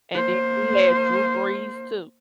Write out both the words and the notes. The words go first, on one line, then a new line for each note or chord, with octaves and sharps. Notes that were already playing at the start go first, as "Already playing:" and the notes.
and then we had Drew Brees, too.
A#3 C5